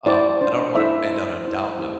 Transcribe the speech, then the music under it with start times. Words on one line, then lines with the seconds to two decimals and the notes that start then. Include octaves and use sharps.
Um, I don't wanna end on a down note,
0.06 E4 C5 D5
0.41 D4 C5
0.75 E4 A4 C5 E5
1.10 E4 C5
1.45 E4 C5
1.79 E4 G4 C5